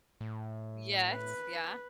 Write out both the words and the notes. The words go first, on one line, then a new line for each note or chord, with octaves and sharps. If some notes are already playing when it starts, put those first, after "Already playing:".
Yes, yeah.
A2
B4